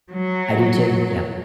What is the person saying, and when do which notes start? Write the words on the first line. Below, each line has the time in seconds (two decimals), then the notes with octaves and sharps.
I do too, yeah.
0.13 F#3